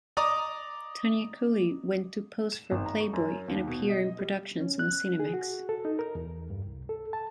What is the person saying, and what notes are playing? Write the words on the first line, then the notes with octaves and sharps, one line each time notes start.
Tonya Cooley went to pose for "Playboy" and appear in productions on Cinemax.
D5 D#5 A#5 D6 D#6
E7
G#1
A#5
C#6
F#2
D#2
B2
D#5
G3
C#4
F#6
G#4
F#4
A4
D#4
A#4
E2
G2
C2
A4
A5